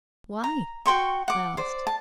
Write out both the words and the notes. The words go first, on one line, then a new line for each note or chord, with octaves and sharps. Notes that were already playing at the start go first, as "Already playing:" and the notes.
"Why?" I asked.
A#5
F#4 G5 C6 C#6
F#5 D6
C5 D5
A5